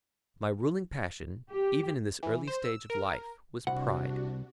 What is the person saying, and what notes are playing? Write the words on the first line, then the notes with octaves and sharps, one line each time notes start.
My ruling passion, even in this early stage of life, was pride.
G4
E3
C5
E6
A#4
C2 C3 D4 F#4 F#5